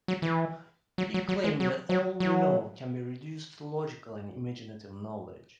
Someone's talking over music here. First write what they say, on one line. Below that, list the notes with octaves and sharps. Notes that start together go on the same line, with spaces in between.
He claimed that all we know can be reduced to logical and imaginative knowledge.
F#3
E3
F#3
F#3
F#3
G#3
F#3
F#3
F#3